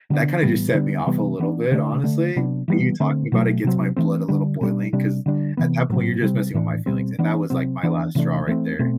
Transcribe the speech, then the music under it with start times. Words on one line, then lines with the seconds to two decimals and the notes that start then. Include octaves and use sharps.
that kinda just set me off a little bit, honestly. Even talking about it gets my blood a little boiling, 'cause at that point, you're just messing with my feelings, and that was, like, my last straw right there.
0.10 D3 F#3 B3 D4
0.43 A2 E3 G3 B3
0.74 D3 G3 B3 D4
1.07 C3 E3 G3 B3
1.39 E3 B3 D4
1.71 D3 A3 D4
2.04 D3 A3 D4
2.36 C3 F#3 B3 D4
2.68 E3 G3 B3
3.00 D3 A3 C4
3.32 B2 F#3 A3
3.64 C3 F#3 C4
3.96 E3 A3 C4
4.28 D3 G3 D4
4.61 B2 G3 D4
4.93 C3 G3 D4
5.26 D3 G3 D4
5.57 C3 E3 B3
5.89 A2 F#3 C4
6.22 C3 G3 C4
6.54 A2 E3 B3 D4
6.86 B2 G3 C4
7.19 E3 B3 D4
7.50 C3 F#3 C4
7.83 E3 B3 D4
8.15 C3 E3 A3 D4
8.47 E3 A3 C4
8.79 B2 A3 C4